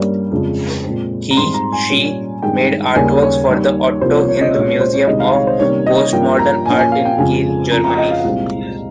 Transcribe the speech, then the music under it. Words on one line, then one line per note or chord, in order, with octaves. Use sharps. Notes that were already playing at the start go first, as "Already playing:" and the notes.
He/she made artworks for the Otto Hind museum of postmodern art in Kiel, Germany.
Already playing: G2 G3 A#3 C#4
F2 C#3 G#3
A#2 G#3 C4
A#5
G#2 G3 C4 C6
A#5
G#5
A#2 G3 C#4
G2 D#3 G#3 G5
D#2 C#3 G3 A#3 C#4 G#5
C#5
D#2 D#3 G3
C2 C3 F3 A#3 C5
C#5
C#5
D#5
A#2 G#3 C#4 C#5
C#5
C5
C#5
C2 C3 D#3 G#3 D#5
F5
C#5
C5
C3 D#3 G3 A#3 C#4 C#5
D#5
G2 F3 A#3 G5
A#5
A#2 F3 A#3 C#4 G#5
G#5
F5
G5
F2 C#3 F3 G#3 G#5
F2 C#3 F3 A#5
A#5
D#5
F5
C2 A#2 G#3 C4